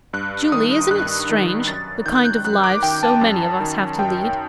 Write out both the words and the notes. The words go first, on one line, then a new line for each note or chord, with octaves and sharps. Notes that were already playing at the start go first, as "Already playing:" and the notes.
Julie, isn't it strange the kind of lives so many of us have to lead?
G2 F#6
D#3 D#6
G2 F#6
D#3
F#2 A6
D#3 G6
F#6
G6
F#2 F#6
D6
D#3 G5
A5
F#2
D#3
F#2 G5